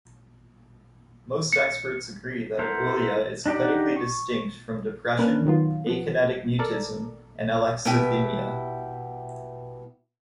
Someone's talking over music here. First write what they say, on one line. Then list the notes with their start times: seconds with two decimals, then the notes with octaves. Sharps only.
Most experts agreed that aboulia is clinically distinct from depression, akinetic mutism, and alexithymia.
1.53 C#7
2.59 B3 E4 A4 A#4 C5
3.46 D4 D#4 G4 D5 F#5
3.96 C#6
5.19 A#3 C#4 D4 A#4 B4
5.46 D#3 F#3 B3 F4
5.87 F3 B3
6.59 A4 A#4 D5
7.85 B2 B3 E4 G4 E5 G5